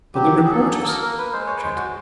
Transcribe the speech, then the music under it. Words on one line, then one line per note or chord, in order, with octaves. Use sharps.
"But the reporters," I objected.
F#3 G4
F#3 G#4
A4
G#4
A#3 A4
A#4
A#3 A#4
B4
G#3 C5
C#5
B4
G#3 C5
F#4